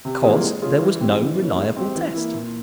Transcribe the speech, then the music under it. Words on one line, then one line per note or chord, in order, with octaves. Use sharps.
Because there was no reliable test.
C3
E3 A#3 F4 G#4
G#3
C#4 F4 G#4
E3
G3 C4
E3
A#3 C#4
G#3
C4 G4
E3
A#3 E4
A#2